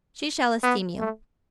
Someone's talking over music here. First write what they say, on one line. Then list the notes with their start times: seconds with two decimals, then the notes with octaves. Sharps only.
She shall esteem you.
0.63 B3
0.99 A3